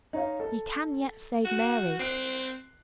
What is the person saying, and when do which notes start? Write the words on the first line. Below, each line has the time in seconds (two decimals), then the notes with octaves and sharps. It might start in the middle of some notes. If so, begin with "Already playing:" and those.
You can yet save Mary.
0.13 D#4 C#5 F5
0.40 A4
1.45 F#4
1.99 C4 F#6 C7 D7